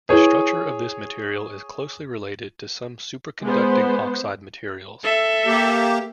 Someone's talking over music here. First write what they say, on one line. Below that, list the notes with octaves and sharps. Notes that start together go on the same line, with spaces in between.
The structure of this material is closely related to some superconducting oxide materials.
E4 G#4 B4 C#5
G#3 B3 C5
A4 E5
A#3 G4